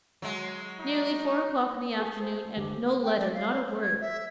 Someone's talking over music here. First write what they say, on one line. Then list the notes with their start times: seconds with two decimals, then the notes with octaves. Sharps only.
Nearly four o'clock in the afternoon, and no letter--not a word!
0.22 F#3 G#3
0.80 D#4
1.97 A3 G#4
2.20 C5
2.57 G1 G4
3.03 G5
3.18 D5
3.34 F5
3.52 C#5
3.66 C5
3.81 G#6
4.01 E5